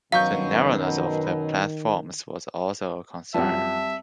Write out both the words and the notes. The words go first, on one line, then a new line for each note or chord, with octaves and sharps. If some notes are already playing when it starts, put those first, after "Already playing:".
The narrowness of the platforms was also a concern.
F#2 B2 D#3 F#3 F5 C#6 G6
F#2 F3 G3 C4 E5 A5